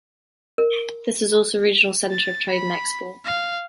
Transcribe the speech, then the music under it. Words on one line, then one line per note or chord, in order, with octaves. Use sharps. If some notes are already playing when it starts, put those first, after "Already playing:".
This was also a regional center of Trade and Export.
A#4
A6
B5
F5